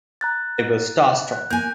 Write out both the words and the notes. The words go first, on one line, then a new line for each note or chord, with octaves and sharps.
I was star-struck.
A#5 F#6 A6
F#6
A#3 G#5 G6